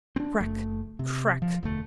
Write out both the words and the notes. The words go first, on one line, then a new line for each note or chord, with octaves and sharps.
Crack! Crack!
C4 D4
F#1 A3
C3
F3
E1 D2 A3